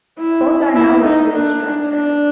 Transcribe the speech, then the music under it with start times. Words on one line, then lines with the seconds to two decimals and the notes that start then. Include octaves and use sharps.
Both are now listed structures.
0.18 E4
0.75 E4
1.05 D#4
1.33 D4
1.91 D4